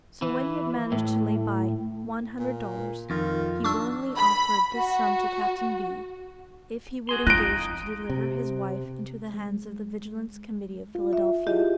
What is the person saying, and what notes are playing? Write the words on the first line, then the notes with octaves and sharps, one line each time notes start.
So when he had managed to lay by one hundred dollars, he willingly offered this sum to Captain B., if he would engage to deliver his wife into the hands of the Vigilance Committee of Philadelphia.
E3
A2
A#2
F2 D#3 F4
D4 C#6 E6
B5
F#4
F#4 G#4 C6
F2 D#4 F4 D#5 F#6 D7
C3
G#3
F4
E5
E4 F4 G4 G#4 D#5